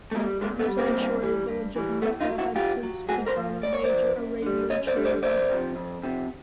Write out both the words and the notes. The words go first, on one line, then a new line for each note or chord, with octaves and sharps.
The sanctuary village of Mecca had since become a major Arabian trade hub.
A3
G3 G#3 A#3
A#2 G#3 A#3
A3 B3
G3
A#3 C4
G2
E3 G3
G2
E3 G3
A2 A3 B3
D#4 F4
F#3
E4 F#4
A2 F4 G4
F#3
G#2 F#4 G#4
A#4 C5
F3
G#2 D5
C#5
F3 C5 D5
F#2
D3 G3
F#2 C#5 D#5
C5 D5
D3 G3
C5 D5
F2 C5 D5
C3 F3
F2
C3 F3